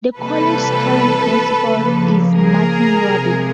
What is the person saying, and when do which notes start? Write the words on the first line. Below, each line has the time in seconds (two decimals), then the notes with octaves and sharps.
The college's current principal is Martin Raby.
0.18 C3 E3 G3 A#3 A4 B4
1.62 C#3 F3 A#3
2.34 G#4 A#4
3.07 C3 F3 G#3